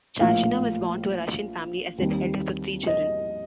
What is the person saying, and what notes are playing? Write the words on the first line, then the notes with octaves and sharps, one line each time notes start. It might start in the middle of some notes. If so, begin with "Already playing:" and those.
Tchachina was born to a Russian family as the eldest of three children.
A#1 A2 F3 A#3 F5
D#2 D#3 G3 C4
D#5